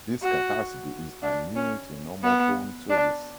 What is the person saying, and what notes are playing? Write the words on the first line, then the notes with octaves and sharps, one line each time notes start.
This capacity is unused in normal phone service.
F#4
D4
C#4
B3
D4